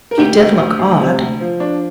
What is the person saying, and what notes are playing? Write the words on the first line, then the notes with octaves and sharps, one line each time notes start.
She did look odd.
A#4
D2 G4
D2
D2
D2
C3
D2
F3
D4